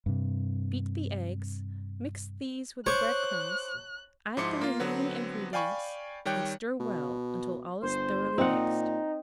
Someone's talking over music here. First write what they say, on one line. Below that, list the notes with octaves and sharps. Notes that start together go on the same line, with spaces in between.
Beat the eggs, mix these with the bread crumbs, add the remaining ingredients, and stir well until all is thoroughly mixed.
G2 C3
C5 C#5 C#6 D6 F#6
G#2 F3 E4 C6 D6 C#7
A#3 F4
D3 F#3 B3 C4
D5 F5 G5 G#5 B5 C#6
D#3 G3 C#5 G5 F#6
B2
G1 C5
A#2 C4 D#4 F#5